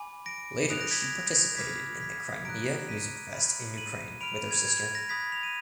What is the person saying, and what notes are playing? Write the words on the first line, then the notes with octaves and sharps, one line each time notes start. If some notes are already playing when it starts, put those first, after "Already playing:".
Later she participated in the Crimea Music Fest in Ukraine with her sister.
Already playing: G#5 B5 D6
A#6 D7
G#5 D#6 F#6 D7 F7
A#6 D7
G#6 B6
A#6
A#6
B5 D6 F6 G#6 B6
G#6 B6
A#5 D#6 F#6 A#6 D7
B6 D#7
B5 F6
D#7 F#7
B5 F6 D7 F7
G#6
G#6
G#6
A#6
B5 D#6 F#6 G#6 B6
F7
D#7